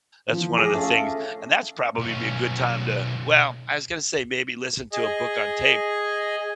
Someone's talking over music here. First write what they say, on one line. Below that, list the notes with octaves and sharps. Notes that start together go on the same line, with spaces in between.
that's one of the things and that's probably be a good time to well, I was gonna say maybe listen to a book on tape,
E3 F3
G#4 D6 D#6 A#6
A3 C#4 F5
B1 C#4
G#4 D#5